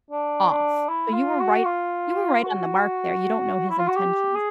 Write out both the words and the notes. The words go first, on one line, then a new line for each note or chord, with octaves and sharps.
off. So, you were right you were right on the mark there, you don't know his intentions.
D4
D4
E4
F4
F#4
F4
F#4
E4
F4
F#4
G4
G#4